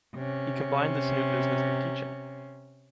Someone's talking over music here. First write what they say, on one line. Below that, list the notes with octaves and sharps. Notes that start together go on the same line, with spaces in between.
He combined this new business with teaching.
C3 C#4